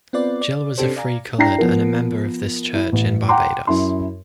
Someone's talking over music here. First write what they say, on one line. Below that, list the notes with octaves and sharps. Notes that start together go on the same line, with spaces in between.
Gill was a Free Coloured and a member of this church in Barbados.
B3 C4 F4 B4 D5
D5
C3 C#4 D4 G4 A4 C5
D5 F5 G#5 A#5
D4 E4 G5 A#5 A#6 C7
F3 B3 A#4
E4
A1
F#5 G5 A#5 C6 D6
F#2 E4 C6